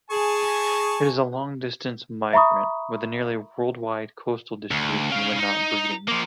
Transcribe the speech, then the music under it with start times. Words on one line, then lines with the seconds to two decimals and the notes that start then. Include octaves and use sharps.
It is a long-distance migrant, with a nearly worldwide coastal distribution when not breeding.
0.10 G#4 G#5 A5 C#6
2.33 E5 A#5 B5 C#6 D#6
4.71 D2
5.10 C#4 F5
5.39 D#4
6.08 F3 A#3